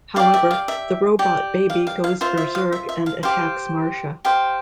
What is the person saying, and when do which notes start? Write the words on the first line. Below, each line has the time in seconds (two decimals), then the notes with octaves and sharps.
However, the robot baby goes berserk and attacks Marcia.
0.16 D5 F5
0.19 G4
0.34 E5
0.51 F5
0.68 E5
1.19 G4 D5
1.70 F5
1.87 F5
2.04 F5
2.21 F4 C5 E5
2.37 E5
2.55 F5
2.72 E5
2.89 E5
3.06 F5
3.23 G4 C5 F5
4.25 G4 C5 F5